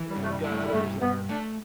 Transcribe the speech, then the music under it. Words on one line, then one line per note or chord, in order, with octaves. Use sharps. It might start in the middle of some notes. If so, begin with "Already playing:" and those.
yeah, I've got others that are
Already playing: E3
G3
G2
A3
G3
E4
A3
G3
G2 A3
G2 B3
A3 D4